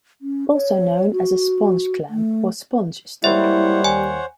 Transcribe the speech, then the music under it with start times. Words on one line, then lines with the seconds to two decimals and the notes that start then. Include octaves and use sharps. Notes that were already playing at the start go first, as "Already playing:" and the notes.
Also known as a sponge clamp, or sponge stick.
0.21 C#4
0.53 C#5
1.12 F#4
2.09 A3
3.24 G3 G#3 A#3 E4 C5 C#5 E5 F#5
3.84 D#2 G#5